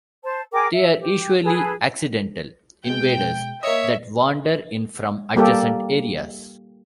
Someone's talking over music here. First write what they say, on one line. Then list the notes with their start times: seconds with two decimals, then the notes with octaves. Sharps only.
They are usually "accidental invaders" that wander in from adjacent areas.
0.24 C5 A5
0.53 G#4 A#4 G5 D6
0.71 E5
0.99 G4
1.43 G#4 A4 B4
2.87 B2 G#3 G5
3.63 A#3 C#5 D#5 E5
5.36 G3 A#3 G4 A4